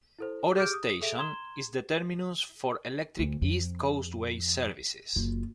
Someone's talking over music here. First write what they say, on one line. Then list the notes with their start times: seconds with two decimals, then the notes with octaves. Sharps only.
Ore station is the terminus for electric East Coastway services.
0.18 E4 A4 C5
0.56 G4 G#4 D6 F6 G6 D7
0.73 D#6
1.01 G#4 A4 E5 D7 F7 G7
1.17 A#5 C6 G#6 E7 G7
3.19 D2
3.42 F2
5.16 F#1 F4